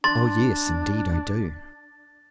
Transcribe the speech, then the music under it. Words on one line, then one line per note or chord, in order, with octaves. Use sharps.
"Oh, yes, indeed I do!"
D4 C6 A6